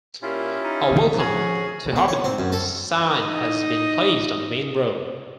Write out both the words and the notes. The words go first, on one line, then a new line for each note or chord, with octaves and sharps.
A "Welcome to Hobbiton" sign has been placed on the main road.
A#2 C#4 E4 F4 G4
D#4
F3 C#4 F#4 G#4
B3
C#5
C4
F#2
A4
D#4 D#5